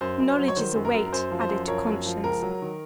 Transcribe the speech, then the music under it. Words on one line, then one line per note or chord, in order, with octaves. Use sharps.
"Knowledge is a weight added to conscience."
F#2 C5
F#2
C5
F#3
C#5
D#3 C5
F#2
A#4
F#2
A#4
F#2 C5
F3
C5
F#2
F3 A#4 C#5
F#2
F3
C#2 A#4
F#3
D#3